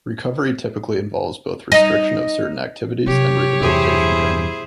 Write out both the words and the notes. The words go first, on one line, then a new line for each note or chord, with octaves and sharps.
Recovery typically involves both restriction of certain activities and rehabilitation training.
D#4 D#5
C3 F#3 G4 C#5
E2 G2 B2 E4 G#4 C5